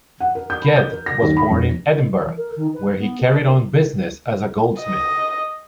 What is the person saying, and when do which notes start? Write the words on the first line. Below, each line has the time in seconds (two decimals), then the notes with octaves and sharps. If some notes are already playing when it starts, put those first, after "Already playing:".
Ged was born in Edinburgh, where he carried on business as a goldsmith.
0.20 F#5
0.35 A#4
0.50 G6
0.62 B5
0.76 G6
0.92 A#4
1.06 A#6
1.22 D#2
1.37 B5
1.51 F1
2.22 E3
2.37 A#4
2.56 D#3
2.74 B4
2.99 B3
3.21 B4
3.32 A#4
4.80 D#5